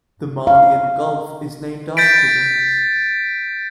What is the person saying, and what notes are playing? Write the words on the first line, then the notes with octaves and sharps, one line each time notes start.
The Malian Gulf is named after them.
F5
G6 A6 B6 D7